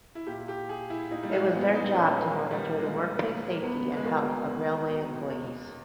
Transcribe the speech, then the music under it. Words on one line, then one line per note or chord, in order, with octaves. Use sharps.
It was their job to monitor the workplace safety and health of railway employees.
E4
A#2 G4
G4
G#4
E4
A#2 D#4
G3
G#3
B3
D#4
A#2 C#4
A#3
G3
A#2 G#3
A#3
E2 B3
G#3
B2 A#3
E2
B2
E2